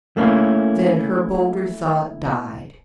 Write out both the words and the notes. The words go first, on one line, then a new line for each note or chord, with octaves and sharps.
Then her bolder thought died.
A3 A#3 C#4 E4